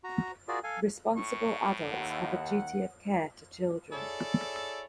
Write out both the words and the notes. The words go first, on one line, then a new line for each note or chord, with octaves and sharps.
Responsible adults have a duty of care to children.
F#4 A#5
F4 F#4 G#4 A#4 D5
A4 F5 G#5
A2 C#6
D#2 F#5
E4 G#4 A4 C#5 D5